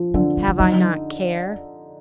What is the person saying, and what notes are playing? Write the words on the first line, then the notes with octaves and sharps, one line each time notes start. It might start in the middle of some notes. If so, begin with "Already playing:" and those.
Have I not care?
Already playing: F3
D3 F#3
F#3
F3
F#3 D#4